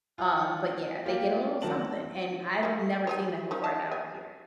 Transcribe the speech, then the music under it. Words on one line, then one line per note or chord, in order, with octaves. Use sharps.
Um, but yeah, they get a little something. And I've never seen that before I got over here.
F4 F#5
A#3 F4 G4
D#3 F#3 F#4 A#4 A5 F#7
A3 A#3
C#5 D#5 G#5
D#3 F3 C#4
C#5 D#5 A5
G#5